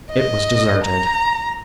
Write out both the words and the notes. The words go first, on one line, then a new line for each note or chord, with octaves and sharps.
It was deserted.
D#5
A#5